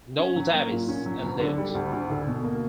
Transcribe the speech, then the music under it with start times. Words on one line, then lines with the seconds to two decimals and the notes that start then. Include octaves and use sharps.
Noel Davis and Lieut.
0.19 C#4
0.36 F#3
0.54 A#3
0.72 A#2
0.89 C#4
1.06 F#3
1.23 D2
1.40 D3
1.58 G3
1.75 D2
1.92 D2
2.10 D3
2.27 B2
2.44 A#3